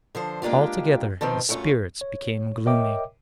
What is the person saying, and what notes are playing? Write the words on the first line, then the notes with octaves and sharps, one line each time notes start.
Altogether his spirits became gloomy.
D3 F3 C5
G#3 A#3 D4 F4 G4
B2 D#3 F3 C4
F#2 A3 C#4 E4 F4
C#5
A#4 C#5 D#5 E5 G5 D6